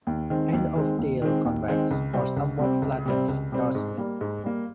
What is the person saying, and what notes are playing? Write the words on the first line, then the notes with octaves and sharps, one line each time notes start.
End of tail convex or somewhat flattened dorsally.
D#2
D#3 G#3 C4
D#2
D#3 G#3 C4
D#2
D#3 G#3 C4
D#2
D#3 G#3 C4
C#2
C3 G3 C4
C#2
C3 G3 C4
C#2
C3 G3 C4
C#2
C3 G3 C4
G#2
G3 A#3
G#2
G3 A#3